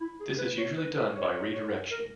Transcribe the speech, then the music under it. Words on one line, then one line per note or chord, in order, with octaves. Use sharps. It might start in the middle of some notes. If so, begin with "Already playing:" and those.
This is usually done by redirection.
E4
G#4
B4
C#5
B4
B4
C#5
C#5
C#5
A#4